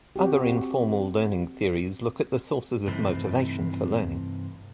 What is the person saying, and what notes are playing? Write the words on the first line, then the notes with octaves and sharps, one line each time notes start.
Other informal learning theories look at the sources of motivation for learning.
C4 F#4 G4
G2 C3 E3 A3 C4 D#4